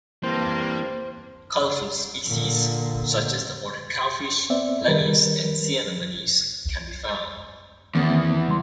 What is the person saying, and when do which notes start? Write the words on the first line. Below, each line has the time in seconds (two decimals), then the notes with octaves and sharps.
Colorful species such as the ornate cowfish, blennies, and sea anemones can be found.
0.24 G2 E3 A#3 C4 C5
2.27 A#2 D3
4.50 B3 C4 D5 E5
4.87 D#3 G3 A#4 B4
7.95 E2 D#3 A#3 C4
8.47 C#3 G3 C6